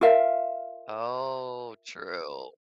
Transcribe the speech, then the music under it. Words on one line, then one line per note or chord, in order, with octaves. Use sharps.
Oh, true.
F4 A#4 E5 F5